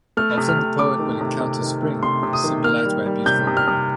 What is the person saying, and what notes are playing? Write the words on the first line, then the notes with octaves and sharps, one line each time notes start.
Often the poet will encounter Spring, symbolized by a beautiful woman.
A3 F6
C3
F6
C3
A3 D6
D#3
C3
C3
D#3
A3
C3 C6
C3
D#6
D#3
A#3 F6
G3
G3
C3 G6
C3
F6
C3